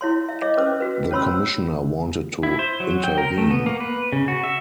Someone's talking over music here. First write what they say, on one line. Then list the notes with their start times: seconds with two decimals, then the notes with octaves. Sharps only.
The commissioner wanted to intervene.
0.01 E4 C#5 C6
0.29 E5
0.42 C#5 D#5 E5 D6
0.57 C#4 B4 C5 D6
0.80 F#4 B4
1.11 C#4 C5 C#5 B5 C6 E6
2.43 E4
2.59 C5
2.80 F#3
3.04 G5
3.18 A#4
3.38 A3
3.50 B3
3.66 A#3
3.80 B4
4.13 C#3
4.28 F#4
4.44 E5